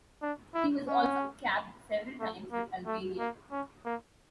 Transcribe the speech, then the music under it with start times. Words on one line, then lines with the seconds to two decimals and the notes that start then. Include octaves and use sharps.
He was also capped several times with Albania.
0.22 D4
0.55 E4
0.88 C#4
2.20 A3
2.52 A#3
2.86 A3
3.19 A#3
3.51 C#4
3.85 A#3